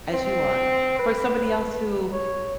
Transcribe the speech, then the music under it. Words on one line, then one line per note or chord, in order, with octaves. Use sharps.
as you are, for somebody else who
C4
B4
C#5